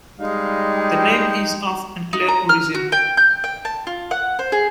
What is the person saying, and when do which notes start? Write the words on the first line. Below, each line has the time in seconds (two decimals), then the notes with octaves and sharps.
The name is of unclear origin.
0.20 G3 G#3 D#4 F5
0.77 G5
2.13 D#4
2.28 A#5
2.49 F6
2.75 F#4
2.92 G5
3.17 G6
3.44 G5
3.65 A5
3.87 F4
4.11 F#5
4.39 C5
4.52 G#4